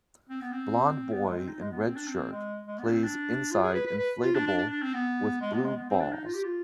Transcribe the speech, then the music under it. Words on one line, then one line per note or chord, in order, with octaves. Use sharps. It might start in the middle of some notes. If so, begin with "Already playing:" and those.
Blond boy in red shirt plays inside inflatable with blue balls.
C4
B3
C4
B3
G#3
C4
D#4
G#3
B3
C4
D4
C4
G#3
G#3
B3
D4
C4
D4
F4
G#4
B4
B4
B4
F4
D4
D4
D4
D4
C4
B3
G#3
B3
G#3
B3
C4
D4
D#4
F4
G4
F4